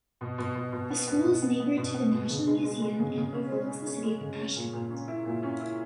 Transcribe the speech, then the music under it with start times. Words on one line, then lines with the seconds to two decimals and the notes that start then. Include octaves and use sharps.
The school is neighbor to the National Museum and overlooks the city of Ashgabat.
0.21 B2
0.38 B2
0.55 B2
0.72 B2
0.90 B3
1.08 B3
1.25 B2
1.42 B3
1.60 B3
1.77 B2
1.94 B3
2.12 B2
2.30 C#3
2.47 G#3
2.64 G#3
2.81 G#3
2.99 C#3
3.17 C#3
3.33 C#4
3.51 G#3
3.69 C#4
3.86 C#4
4.03 G#3
4.21 C#3
4.38 C#4
4.56 A#2
4.73 A#2
4.90 C#4
5.08 E4
5.25 A#2
5.43 C#4
5.60 E4